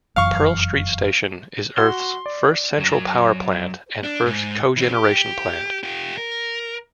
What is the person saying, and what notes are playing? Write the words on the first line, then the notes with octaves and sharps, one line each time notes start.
Pearl Street Station is Earth's first central power plant, and first cogeneration plant.
F1 F#2 E3 F5 C#6
F#4 C6
D5
F#2 F#3
D4
G#2
E3 C4
G4
F4 G4
A#4